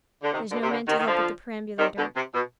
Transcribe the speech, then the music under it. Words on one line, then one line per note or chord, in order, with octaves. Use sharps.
There's no man to help with the perambulator.
D3
C3 D#3
B2 D3
C3
B2 D3
C3 D#3
D#3
D3 F3
C3 D#3
B2 D3
C3
B2